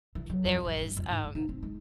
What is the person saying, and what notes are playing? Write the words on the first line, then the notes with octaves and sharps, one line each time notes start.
there was, um,
E3
F#3
F2
A1
G2
F2
G#2
G#3
D#4
C4
G#3